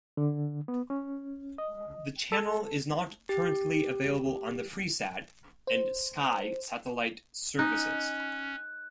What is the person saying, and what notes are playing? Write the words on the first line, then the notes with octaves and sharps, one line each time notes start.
The channel is not currently available on the Freesat and Sky satellite services.
D3
B3
C#4
D#5
A4
G4
C5
C#4 D#4 F#6